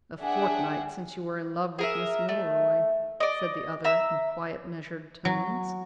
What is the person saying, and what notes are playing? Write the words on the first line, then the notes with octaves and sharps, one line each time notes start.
"A fortnight since you were in love with Miss Milroy," said the other, in quiet, measured tones.
D4 G#4 E5 F#5 G5
G#4 A#4 E5
A3
D5 D#5
E5 A#5 E6
F#3